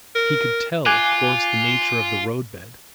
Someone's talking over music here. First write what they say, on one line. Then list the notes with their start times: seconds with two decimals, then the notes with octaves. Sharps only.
He could tell, of course, the nature of the roadbed.
0.15 A#4
0.86 F4 G#5 D6 F#6